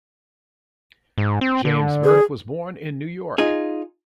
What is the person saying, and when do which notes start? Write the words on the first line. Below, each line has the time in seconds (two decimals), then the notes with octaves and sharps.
James Burke was born in New York.
1.18 G#2
1.41 C4
1.65 D3
2.04 G#4
3.38 D#4 F4 G#4